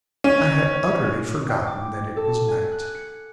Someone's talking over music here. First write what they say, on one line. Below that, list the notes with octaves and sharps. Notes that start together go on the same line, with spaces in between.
I had utterly forgotten that it was night.
C#4
G5
D6
A4
G#5
F#6
C#7